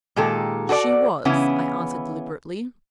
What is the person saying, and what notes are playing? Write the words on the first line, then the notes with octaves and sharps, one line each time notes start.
'She was,' I answered, deliberately.
A#2 D#3 G#3 G4 A4
F#4 A4 B4 D5
C#3 E3 B3 C#4 E4